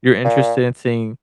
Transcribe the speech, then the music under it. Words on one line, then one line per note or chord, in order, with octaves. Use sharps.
you're interested in seeing
A#2